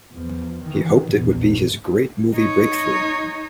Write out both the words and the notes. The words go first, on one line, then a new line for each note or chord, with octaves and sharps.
He hoped it would be his great movie breakthrough.
E2 F3
D#3 E3
A#1 E2 B2
D#4 C#5